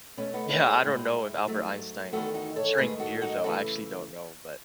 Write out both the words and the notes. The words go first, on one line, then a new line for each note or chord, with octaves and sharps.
Yeah, I don't know if Albert Einstein drank beers, though, I actually don't know, but
B2 A3 C#4
B3 D#4
C#4 E4
E4 G#4
A2 G#3
G#2 F#3 A3
E2 D#3 A3 F#4 A4
D#4 F#4
A4 C#5
G#2 D#3 A3 G#4 B4
F#4 A4
D#4 F#4
C#3 E3 A3 F#4 A4